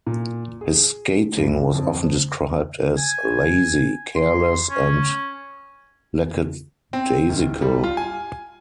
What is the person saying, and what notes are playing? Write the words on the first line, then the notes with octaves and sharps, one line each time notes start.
His skating was often described as "lazy", "careless" and "lackadaisical".
A#2
G#4
G2
F2
G#5
C6
C#4
C4
D1
G3
F4
G#5